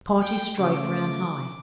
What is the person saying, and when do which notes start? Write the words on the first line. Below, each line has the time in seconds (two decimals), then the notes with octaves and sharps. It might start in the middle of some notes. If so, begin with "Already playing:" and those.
Party strife ran high.
0.22 G5
0.59 C#3 A3 D6